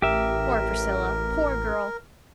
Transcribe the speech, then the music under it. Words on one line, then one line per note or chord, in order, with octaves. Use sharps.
Poor Priscilla!--poor girl!
A1 G4 A#4 E5